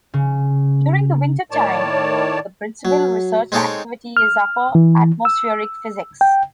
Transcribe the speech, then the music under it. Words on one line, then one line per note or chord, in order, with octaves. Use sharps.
During the winter time, the principal research activity is Upper Atmospheric Physics.
C#3
A2 D#3 C#5 D5 A5
F#3
G#3 C4 D#4 A4 C#5 G5
F6
E3
E6
G5